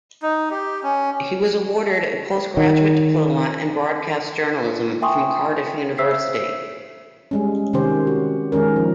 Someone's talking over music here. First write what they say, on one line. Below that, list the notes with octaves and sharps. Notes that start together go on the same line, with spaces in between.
He was awarded a post-graduate diploma in broadcast journalism from Cardiff University.
D#4
G4
C#4
D#3
E5 G5 G#5 C6 C#6 D#6
C5 E5 E6 B6 C7
G3 G#3 C#4
C3 D#3 C#4 G4 C5
F#4
D#3 G#3 C#4 A#4
F3